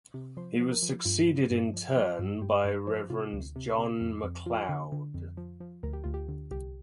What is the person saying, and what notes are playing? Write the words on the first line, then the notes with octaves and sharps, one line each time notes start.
He was succeeded in turn by Rev John Macleod.
C3
F3 C5
F3
A#4
F3
G2 F4
F3
G2
F3
F3
G2
G2 G4
G2
F3 C5
C3 F4
D2
C3
C3
F2
F2
F3 F4
D3
D3
F2
F3
F3
D2 A#4
G4
D2 F4
G4
D3
C2 G4